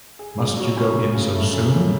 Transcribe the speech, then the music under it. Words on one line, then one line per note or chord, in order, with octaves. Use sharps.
Must you go in so soon?
G#4
C#3
F#3
C#4
G#4
C#3
A3
F#2
C#3